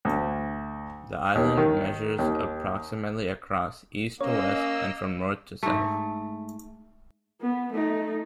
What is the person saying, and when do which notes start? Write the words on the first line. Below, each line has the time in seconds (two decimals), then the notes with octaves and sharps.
The island measures approximately across, east to west, and from north to south.
0.05 D2
1.35 D#2
1.57 D#3
2.19 D#2
4.21 A#3 C#4 C#5 D#5 E6
5.63 G#2 A3
7.41 B3
7.74 A3 D#4